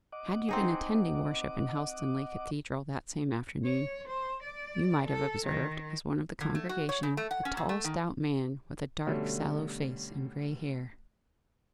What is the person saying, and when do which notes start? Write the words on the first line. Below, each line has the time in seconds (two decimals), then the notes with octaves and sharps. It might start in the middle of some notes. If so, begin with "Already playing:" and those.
Had you been attending worship in Helstonleigh Cathedral that same afternoon, you might have observed, as one of the congregation, a tall stout man, with a dark, sallow face, and grey hair.
0.12 D#5 F#5 D6
0.48 C4 D#4 G#4
3.65 C#5
4.08 C5
4.43 D5
5.08 A4
5.46 D#3
6.41 D3
6.55 A3
6.69 F#4
6.89 C#5
7.03 C#3
7.17 A3
7.31 F#5
7.45 C#4
7.57 A#2
7.69 A3
7.84 D#3
9.07 B2 D3 G3 A3 C#4